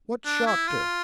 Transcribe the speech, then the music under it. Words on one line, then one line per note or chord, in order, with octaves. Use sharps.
"What shocked her?"
D4
E4
F4